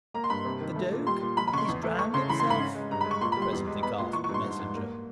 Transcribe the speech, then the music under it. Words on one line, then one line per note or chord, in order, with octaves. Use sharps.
"The Duke, he's drowned himself," presently gasped the Messenger.
A#3 A#5
C6
G2 B5
C3
D#3
A3
A#2
G3 C6
A#2
F3 B5
B5
C#3 C6 C#6
E2
A3
A3 C#6
C#3 C6
E3 B5
C6
G#2
B5
C#4
G#3
G2 A#5
B5
G#3 C#6
A#2 C6
B5
G3 C6
E2
G#3
B3 B5
A#2 C6
E3 C#6
C#6
G2
C6
G#2
G#2
A#3